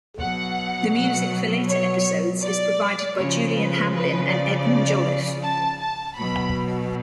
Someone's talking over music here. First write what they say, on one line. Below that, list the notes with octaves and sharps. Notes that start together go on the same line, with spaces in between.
The music for later episodes is provided by Julian Hamlin and Edmund Jolliffe.
B2 F#3 F#5
F#5
C#5
D5
C#3 F3 C#5
B4
B4
D5
A5
A5
B2 F#3 B5